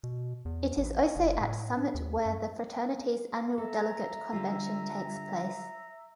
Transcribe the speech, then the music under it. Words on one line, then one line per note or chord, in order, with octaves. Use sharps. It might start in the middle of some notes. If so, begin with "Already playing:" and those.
It is also at Summit where the fraternity's annual Delegate Convention takes place.
B2
E2
A1
F#1
A2
D4
D#2
F#2
A4 E5 A#5
D3 G3 F4